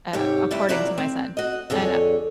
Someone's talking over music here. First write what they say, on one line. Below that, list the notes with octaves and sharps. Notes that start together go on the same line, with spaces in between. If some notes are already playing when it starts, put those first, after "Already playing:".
uh- according to my son- and I
G#2 C3 G4 C#5
G2 C3 G3 E4
C3 F3 F#3 E4 D5 A#5
C4
F#4 D#5
F2 D3 G#4 C#5